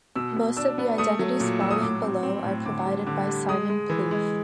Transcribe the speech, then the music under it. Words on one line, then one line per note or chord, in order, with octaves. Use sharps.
Most of the identities following below are provided by Simon Plouffe.
B2 E6
B2
D4 E6
B3
A3 D#6
F#3
A#2
F#3 E6
D#6
A2 D6
C4
C4
A2
D3 D6
G3
D3 D6
G3
G#3 D#6
G#3
E3
G#3